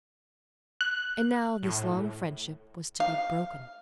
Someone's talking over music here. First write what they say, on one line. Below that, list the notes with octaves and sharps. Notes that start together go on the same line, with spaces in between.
And now this long friendship was to be broken.
F#6
A2
F5